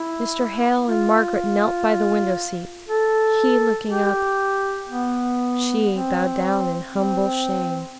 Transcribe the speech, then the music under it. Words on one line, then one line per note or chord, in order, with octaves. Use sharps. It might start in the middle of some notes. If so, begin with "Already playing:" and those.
Mr. Hale and Margaret knelt by the window-seat--he looking up, she bowed down in humble shame.
Already playing: E4
F4
A4
G4
B3
C4
C4